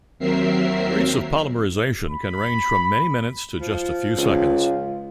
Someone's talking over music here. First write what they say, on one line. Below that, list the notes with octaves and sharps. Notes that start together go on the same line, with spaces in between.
Rates of polymerization can range from many minutes to just a few seconds.
D#2 F#3 C4 A#4 E5 C7
B5
F3
C#2 F4